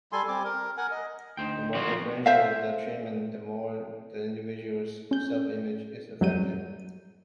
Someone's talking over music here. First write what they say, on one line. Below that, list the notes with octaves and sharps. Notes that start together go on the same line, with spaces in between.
The more differential the treatment, the more the individual's self-image is affected.
G3 A4 G#5 C6
G3 C4 G#5 D6
A#4
A#4 F#5 G#5
D#5
D2 D#4 C5 G5
F3 C4 F#4
C5 E5 F5
C#4 G6
F#2 F#3 G3 G6 D#7